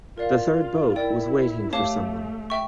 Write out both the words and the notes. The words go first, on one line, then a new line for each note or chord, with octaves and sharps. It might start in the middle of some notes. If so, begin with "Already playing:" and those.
The third boat was waiting for some one.
F4 A#4 D5 F5
E4 A#4 D5 G5
A3 G4 C#5 F5 A5 D6
E5 G5 C#6